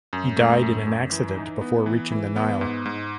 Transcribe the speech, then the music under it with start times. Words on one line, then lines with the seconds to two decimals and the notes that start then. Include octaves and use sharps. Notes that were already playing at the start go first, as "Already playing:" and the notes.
He died in an accident before reaching the Nile.
0.13 F#2
0.37 A3
0.63 F#2
0.87 F#2
1.12 E3
1.37 D#4
1.61 B3
1.86 E3
2.12 E3
2.36 B3
2.61 G#2
2.86 G#2